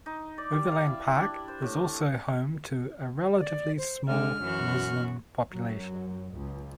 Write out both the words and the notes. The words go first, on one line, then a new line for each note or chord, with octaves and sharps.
Overland Park is also home to a relatively small Muslim population.
D#4
D5
G3
F5
E4
D4
C5
A2
D5
C5
D3 G#3 F6
F#2 E3 F#4
F#2 F#3
C#2